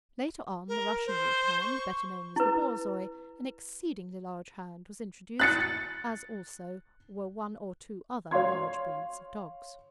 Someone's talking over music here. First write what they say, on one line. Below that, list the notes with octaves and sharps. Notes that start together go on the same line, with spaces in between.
Later on the Russian Wolfhound, better known as the Borzoi, an exceedingly large hound, was introduced, as also were one or two other large breeds of dogs.
A#4
C5
C#6
E4 B4
F#6 A6 C#7
C#5 F5 C6 G#6